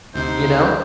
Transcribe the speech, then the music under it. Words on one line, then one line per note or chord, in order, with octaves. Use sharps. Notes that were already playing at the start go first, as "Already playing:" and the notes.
You know?
D2 C3 D#4 C5